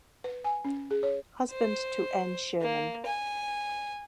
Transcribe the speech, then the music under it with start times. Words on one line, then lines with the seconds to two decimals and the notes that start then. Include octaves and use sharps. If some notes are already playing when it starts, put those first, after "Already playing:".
Husband to Ann Sherman.
0.24 B4
0.44 G#5
0.65 C#4
0.91 G#4
1.03 C#5
1.51 C5
2.61 A#3
3.06 G#5